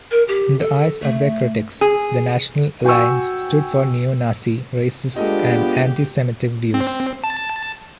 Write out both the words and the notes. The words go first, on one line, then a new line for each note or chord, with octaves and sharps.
In the eyes of their critics, the "National Alliance" stood for neo-Nazi, racist and anti-Semitic views.
A#4
G4
A4
A3
G#4
F#4 G5 G#5 C#6 E6
G#3 B3 D4 F4 G4 A4 D#5
C4
A5